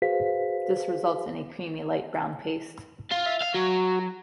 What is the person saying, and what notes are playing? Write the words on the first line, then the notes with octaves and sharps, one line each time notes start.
This results in a creamy, light brown paste.
F#4 G#4 B4 C5 F5 B6
F4
E5
F5
F#3 F#4